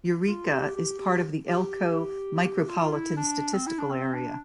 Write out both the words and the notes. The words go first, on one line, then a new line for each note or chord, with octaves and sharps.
Eureka is part of the Elko Micropolitan Statistical Area.
F4
G4
G4
G4
G4
G4
F4
E4
D4
C4
E4
D4
C4
D4